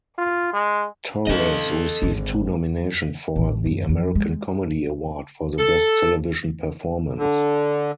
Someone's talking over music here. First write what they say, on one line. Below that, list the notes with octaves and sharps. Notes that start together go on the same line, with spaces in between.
Torres received two nominations for the American Comedy Award for the Best Television Performance.
F4
G#3
C#4 D#4 A4 D#5
G#1 D3
A1
F#2
F2
G#3
A4
D3